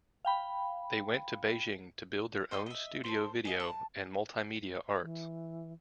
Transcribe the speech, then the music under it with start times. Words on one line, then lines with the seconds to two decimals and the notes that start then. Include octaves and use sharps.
They went to Beijing to build their own Studio Video and Multimedia Arts.
0.25 F5 G5 B5
2.51 C5 D5 D#5 G5
2.66 D#5 E5
3.04 A4 C5 C6
3.45 G#4 D#5 F5
3.60 A5
5.01 E3